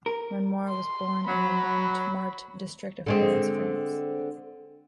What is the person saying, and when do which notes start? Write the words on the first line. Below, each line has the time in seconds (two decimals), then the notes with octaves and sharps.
Renoir was born in the Montmartre district of Paris, France.
0.06 A#4
0.69 C6
1.27 F#3 B5
3.06 D3 G#3 C4